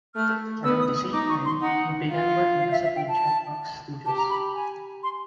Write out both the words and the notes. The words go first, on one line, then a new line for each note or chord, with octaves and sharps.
Around the same time, he began working as a page at Fox Studios.
A3 F6
B3 E6
D#6
D#6
D#4 D6
C#6
C6
D#4 F#5
F4
F5
E5
E5
G5
A5
G4 A5
A#5
B5
G#5
C6